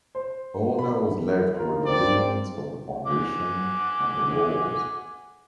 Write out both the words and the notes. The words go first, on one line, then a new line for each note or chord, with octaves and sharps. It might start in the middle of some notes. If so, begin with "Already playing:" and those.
All that was left were the ruins of the foundation and the walls.
C5
B5
F4 A#4
C4 D5
F#5 G#5 D6